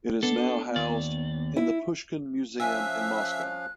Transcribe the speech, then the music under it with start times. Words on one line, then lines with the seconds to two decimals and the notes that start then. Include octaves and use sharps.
It is now housed in the Pushkin Museum in Moscow.
0.23 B3 D4 A4
0.76 D#2 D5
1.56 E4
2.60 F3 C#4 E5 F5 G#5 F#6